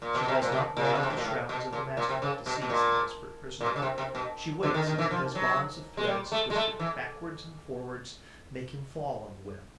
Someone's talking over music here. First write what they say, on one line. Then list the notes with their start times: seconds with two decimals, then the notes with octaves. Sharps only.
She does not run up the shrouds of the mast-work to seize the desperate prisoner; she waits until his bonds of threads, twisted backwards and forwards, make him fall on the web.
0.02 A#2
0.15 B2
0.28 C3
0.42 A#2
0.52 B2
0.77 A#2
0.95 C#3
1.03 C3
1.10 B2
1.18 A#2
1.24 A2
1.49 B2
1.73 A#2
1.97 A#2
2.09 C3
2.22 C#3
2.46 B2
2.62 B2
2.70 A#2
3.61 A#2
3.66 B2
3.76 C#3
3.82 C3
3.98 C3
4.15 B2
4.63 D3
4.74 D#3
4.86 D#3
4.98 E3
5.11 F3
5.35 F#3
5.97 G#3
6.07 G3
6.32 A3
6.50 G#3
6.56 A3
6.80 E3